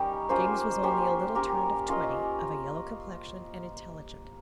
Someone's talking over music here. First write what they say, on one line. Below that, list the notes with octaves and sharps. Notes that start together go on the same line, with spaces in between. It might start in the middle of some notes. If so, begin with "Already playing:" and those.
James was only a little turned of twenty, of a yellow complexion, and intelligent.
Already playing: G3 C#4 D#4 G4 A#4
A#3 C#4 F4 C5
A#3 C#4 G4 C5
A#3 C#4 G4 A#4
C#4 F4 A#4 D#5